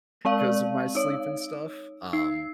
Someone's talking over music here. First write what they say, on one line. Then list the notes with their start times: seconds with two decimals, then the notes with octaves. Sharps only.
'cause of my sleep and stuff, um
0.25 G#3 C4 D5 F5
0.95 D#4 C#5
2.13 D#4 C7